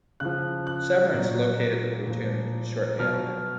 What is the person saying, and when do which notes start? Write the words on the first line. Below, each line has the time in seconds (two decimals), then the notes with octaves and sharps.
Severance located the platoon shortly after.
0.20 C#3 F3 F#6
0.67 F#6
1.14 A#2 F#3
2.07 A#2 F3
2.99 B2 F#3 F6